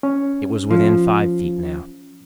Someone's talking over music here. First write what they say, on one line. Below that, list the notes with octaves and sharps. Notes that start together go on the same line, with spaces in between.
It was within five feet now.
C#4
F3